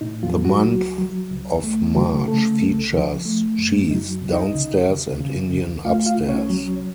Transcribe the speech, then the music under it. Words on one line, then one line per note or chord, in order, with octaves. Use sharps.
The month of March features Cheese downstairs and Indian upstairs.
A2 D#4
F3 F4
F#3
F#3 F#4
C#2
F#3
C#2
A3
C#3 F#3 F#4
C#3 A3 A4
C2
F3
A3
F#2
F#3 D#4
C#2
D#4 D#5
C#3
D#2
C#3
C#2
A3 F4 F5
F4 F5
C2
C#4 C#5
F#3